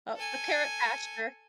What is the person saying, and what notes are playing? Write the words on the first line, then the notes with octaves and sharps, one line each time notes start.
Oh, a carrot pasture.
A4 G#5